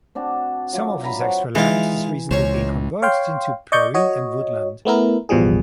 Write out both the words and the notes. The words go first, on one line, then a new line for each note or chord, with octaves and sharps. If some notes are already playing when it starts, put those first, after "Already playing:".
Some of this extra land has recently been converted into prairie and woodland.
C4 D4 F#4 A5
F#3 F4
E5 A#5 B5
C5 C#5 F#5 A5
E3 G#3 D#4 F4
C#2 C5 C#5
C#5 F5 G5 C6
D5 D#5 C#6 G6
F#4 C#5 D#5
A3 B3 E4 A#4
A1 E2 B2 F3 G3 G#4